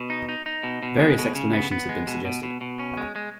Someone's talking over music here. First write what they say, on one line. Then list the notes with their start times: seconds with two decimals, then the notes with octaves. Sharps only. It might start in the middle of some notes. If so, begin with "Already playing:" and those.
Various explanations have been suggested.
Already playing: B2
0.10 D#4
0.29 D#4
0.46 D#4
0.63 B2
0.83 B2
0.99 G#3
1.18 B2
1.35 C#3
1.53 B3
1.71 B3
1.89 G#3
2.07 B2
2.25 B2
2.43 B2
2.61 B2
2.79 C#4
2.97 G#3
3.16 G#3